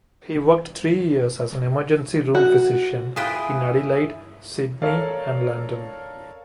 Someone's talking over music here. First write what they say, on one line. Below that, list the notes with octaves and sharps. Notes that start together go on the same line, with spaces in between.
He worked three years as an emergency-room physician in Adelaide, Sydney and London.
F#4
E4 F4 G#4 B4 G5
A4 A#4 C#5 D5 F5